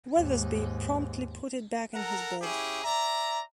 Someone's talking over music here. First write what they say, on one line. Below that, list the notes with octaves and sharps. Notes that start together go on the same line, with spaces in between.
Weathersby promptly put it back in his bed.
D#2 G#2
A4 A#4 F#5 A#5
C#4 E4 G4 G#4
D5 E5 A#5